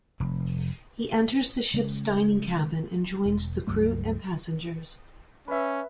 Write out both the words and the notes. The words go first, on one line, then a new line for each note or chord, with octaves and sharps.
He enters the ship's dining cabin and joins the crew and passengers.
F1
C#3 G#3
E1
C#2 G2 F#3 A3
C#4 B4 E5